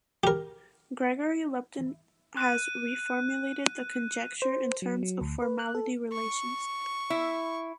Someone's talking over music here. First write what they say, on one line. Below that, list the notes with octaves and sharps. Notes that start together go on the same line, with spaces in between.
Gregory Lupton has reformulated the conjecture in terms of formality relations.
G4 A#4
F#6 D#7
C5
F#3
F#3
D2
B4
F#6
A4
C#6
E4